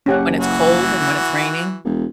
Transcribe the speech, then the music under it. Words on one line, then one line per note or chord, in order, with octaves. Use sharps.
When it's cold and when it's raining?
F#1 C#4 G4 F#5
E3 F#4
E1